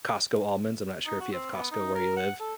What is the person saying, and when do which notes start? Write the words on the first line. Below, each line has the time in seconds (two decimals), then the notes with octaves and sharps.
Costco almonds, I'm not sure if you have Costco where you live,
1.06 D#4
1.20 F#4
1.32 C4
1.53 B3
1.71 D#4
1.95 A#4
2.17 F#5
2.40 A4